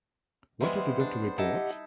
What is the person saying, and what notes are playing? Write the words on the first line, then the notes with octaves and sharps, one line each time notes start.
What have you got to report?
E3 G3 G#3 B3 C5
D4
D#4 E4 G4 D#5 F#5 A5